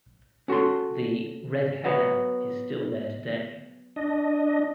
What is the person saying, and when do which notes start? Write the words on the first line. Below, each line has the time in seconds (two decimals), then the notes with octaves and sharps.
The "Red Hare" is still there today.
0.48 C#4 F#4 A4 C6
1.84 F#3 B3
3.96 D4 D#5